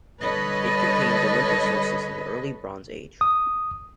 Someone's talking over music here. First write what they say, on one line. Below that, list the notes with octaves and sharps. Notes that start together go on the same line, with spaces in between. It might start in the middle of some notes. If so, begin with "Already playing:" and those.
It contained the winter solstice in the Early Bronze Age.
D3 G3 A4 B4 C#5 D#5
D#6